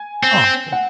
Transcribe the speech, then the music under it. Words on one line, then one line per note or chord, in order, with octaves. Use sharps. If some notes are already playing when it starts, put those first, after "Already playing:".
Oh, coo
Already playing: G#5
C4
F#5